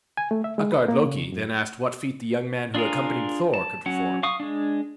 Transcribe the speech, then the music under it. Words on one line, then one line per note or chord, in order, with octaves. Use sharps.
Utgard-Loki then asked what feat the young man who accompanied Thor could perform.
G#5
A3
E5
G#3
B4
A#3
C#3
F#2
D4 F4 G#4 A#4
A5
F#3 C#4 F#5
F5 C#6 D#6
G#3 D4